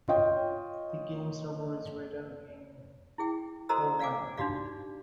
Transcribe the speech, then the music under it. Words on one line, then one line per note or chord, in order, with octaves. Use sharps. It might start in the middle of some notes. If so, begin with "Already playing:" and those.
The game server is written in Erlang.
F4 C#5 D#5 G5
E4 G#4 G5
F#4 A4 C5 D#5 A#5 E6
D5 F5 F#5 G#5 D6
D4 D#4 F#4 G4 D5 F5